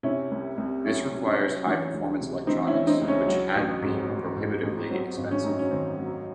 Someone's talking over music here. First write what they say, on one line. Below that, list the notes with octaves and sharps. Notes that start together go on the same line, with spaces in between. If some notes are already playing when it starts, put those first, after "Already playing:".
This requires high-performance electronics, which had been prohibitively expensive.
C3 C#4 E4
C2
C2
F#3 C#4 E4
C3
C#4
F#3
E3 C#4
C#2
C3
E3 C4 D#4
C#4 E4
E3
C4 D#4
C#2
C#4
F#3
A1
G#2
A1
G#2
A1
F#3 C4
G#1
C#4
F#2 D#4
C#4
D#3 C4
F#3